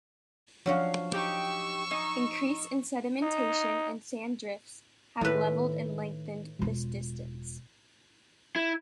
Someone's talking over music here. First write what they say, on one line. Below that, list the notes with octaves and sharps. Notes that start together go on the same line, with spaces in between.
Increase in sedimentation and sand drifts have leveled and lengthened this distance.
F3 F#3 C#4 D4 F#4 F5
D#4 G4 G5 C#6 E6
D#4 G#5
D#4
A2 D#3 B4
E1 F4
E4